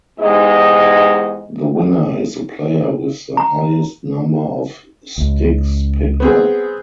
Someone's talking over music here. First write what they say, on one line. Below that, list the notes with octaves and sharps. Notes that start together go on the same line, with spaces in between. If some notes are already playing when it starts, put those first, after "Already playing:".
The winner is the player with the highest number of sticks picked up.
E2 G#2 G#3 D#4 G4 D#5
A#5
C#2
B3 C4 G#4